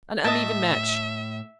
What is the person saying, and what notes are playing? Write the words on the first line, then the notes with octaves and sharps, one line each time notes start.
An uneven match.
A2 D#5 E5 A5